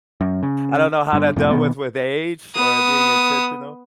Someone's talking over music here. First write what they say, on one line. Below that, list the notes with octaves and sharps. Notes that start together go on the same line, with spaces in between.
don't know how that dealt with with age or it being intentional,
F#2
C#3
G2 D3
F1 F2 A2 C3
B2 D#3 B3
B3 D#6